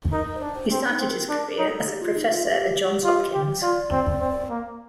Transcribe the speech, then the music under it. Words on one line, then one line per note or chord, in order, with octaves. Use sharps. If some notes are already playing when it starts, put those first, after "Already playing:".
He started his career as a Professor at Johns Hopkins.
D#4 A#4
C5
D4 D5
C5
C4 D4
D#4
C4
A#4
D4 A#4
A#4
D#4
A4
G4
F4
D#4
F4
G4
F4
G4
F4 D5
C4
C4
A#3